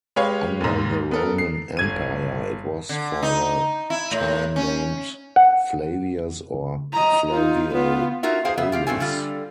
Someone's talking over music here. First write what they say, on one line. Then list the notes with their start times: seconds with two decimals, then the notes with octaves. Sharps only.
Under the Roman Empire, it was for a time named Flavias or Flaviopolis.
0.16 G#3 G4 B4 C#5 F5
0.60 D#2 G#2
1.11 B3 A4 A#4
1.38 C7
1.77 G1 G#6 D#7
2.89 D3
3.23 D#4
3.90 E4
4.11 A2
4.56 C#4
5.36 F#5
6.93 D#5 A#5
7.30 D#4 F4
7.73 B3 F4
8.23 D#4 F4 F#4 A#4 E5
8.45 G#4 C5 F5 G5
8.58 C#3 B3 E5
8.72 F4 G4 F5
8.87 G2 C4 A4 G#5
9.00 D3 G3 F4